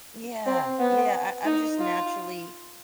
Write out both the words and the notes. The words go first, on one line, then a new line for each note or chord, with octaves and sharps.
Yeah, yeah. I I'm just naturally
C4
B3
D#4
F4